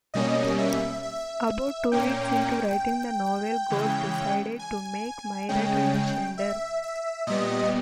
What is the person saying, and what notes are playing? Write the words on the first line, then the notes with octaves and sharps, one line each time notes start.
About two weeks into writing the novel Gore decided to make Myra transgender.
B2 G3 A#3 C#4 D#5
E5
E5
A#2 A#3 C#4 G5
C#3 E3 G#3 C#4
G#5
C#3 G#3 C#4 G5
E5
E5
A#2 G3 B3 D#5